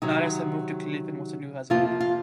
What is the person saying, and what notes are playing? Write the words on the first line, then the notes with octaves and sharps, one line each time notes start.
Alice had moved to Cleveland with her new husband.
C3 D#3 F#3 D#4
F2 C3 F3 A#3 F4
F4